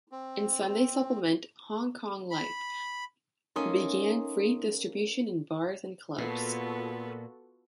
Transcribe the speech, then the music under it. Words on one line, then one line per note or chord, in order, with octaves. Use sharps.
Its Sunday supplement, Hong Kong Life, began free distribution in bars and clubs.
C4
B5
A3 A#3 C#4 D#4 C6 D#6
A#2 B3 F4 F#4 A4